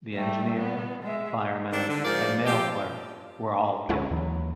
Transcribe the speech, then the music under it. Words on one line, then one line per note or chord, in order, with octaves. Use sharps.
The engineer, fireman, and mail clerk were all killed.
G3 A3
B3
G#3 E5
D#3 G3 C4 D4
D3
G#2 F3 A#4 D5
F3 C4 G4
D2 G#3 C#4 E4 F#5
D#2 E3 F#3